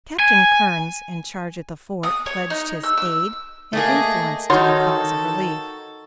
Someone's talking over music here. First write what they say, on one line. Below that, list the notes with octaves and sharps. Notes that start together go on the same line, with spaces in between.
Captain Kerns in charge at the Fort, pledged his aid, and influence to the cause of relief.
G#5
D#6
C#5
D#4
E6
E6
A3 A#3 G#4 D#5
D#3 D#4 F#4 A4 C#5 C6